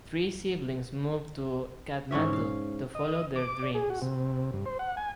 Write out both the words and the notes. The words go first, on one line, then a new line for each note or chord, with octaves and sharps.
Three siblings move to Kathmandu to follow their dreams.
G#2 E3 C#4 E5
F5
D#5
D6
D5
G#4
F#4
C3
G2
C5
F#5
G#5